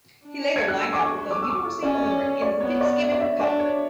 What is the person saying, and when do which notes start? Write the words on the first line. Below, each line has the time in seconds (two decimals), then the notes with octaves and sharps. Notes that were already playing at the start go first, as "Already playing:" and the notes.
He later lined out with the University of Limerick in the Fitzgibbon Cup.
0.25 D4
0.56 G#6
0.68 F#6
0.80 E6
0.93 D6
1.04 C#6
1.19 C#6
1.31 D6
1.42 E6
1.50 D6
1.57 C#6
1.82 C#4 D5
1.95 D5
2.03 C#5
2.22 C#5
2.42 D5
2.61 B3 C#5
2.81 D5
3.00 E5
3.12 D5
3.20 E5
3.39 D4 D5
3.59 C#5